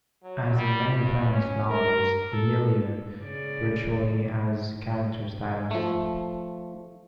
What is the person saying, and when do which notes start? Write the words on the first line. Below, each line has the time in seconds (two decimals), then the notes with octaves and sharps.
As in many Vance novels, the milieu virtually has character status.
0.23 F#3
0.56 G3
0.92 G2
1.31 C#4
1.68 A#4
2.32 A4
3.20 C#3 D5
5.71 F3 A3